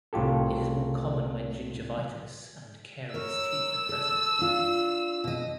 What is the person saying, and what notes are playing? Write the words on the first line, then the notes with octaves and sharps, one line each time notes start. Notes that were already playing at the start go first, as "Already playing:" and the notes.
It is more common when gingivitis and carious teeth are present.
C2 A2 F4 G4 A4
A#4 C#5 E6
A4
D4 F4
B2 D#5